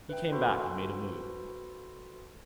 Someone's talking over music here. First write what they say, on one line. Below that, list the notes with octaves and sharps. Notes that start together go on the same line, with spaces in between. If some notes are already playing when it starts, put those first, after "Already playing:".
He came back and made a move.
B4 E5 G5
F#4 A4 B4 C5 B5 C6